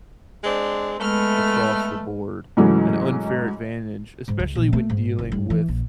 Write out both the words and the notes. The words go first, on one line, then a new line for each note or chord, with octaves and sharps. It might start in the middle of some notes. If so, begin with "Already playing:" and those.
across the board an unfair advantage, especially when dealing with
G#3 C4 D4
G#3 A3 B3 F6
G#2 C#3 E3 F#3 G#3 A3
G#2
C#2
A#1
A3
G#2
F#1
G2
E3
A#1